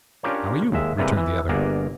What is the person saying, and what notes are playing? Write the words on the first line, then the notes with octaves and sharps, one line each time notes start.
"How are you?" returned the other.
C#4 D4 F4 G4 A#4 C#5
D#2 G#3 E5
C3 E3 G3 G#3 A#3 B4
E3
G1 A#3 G#4 D5 F#5 A#5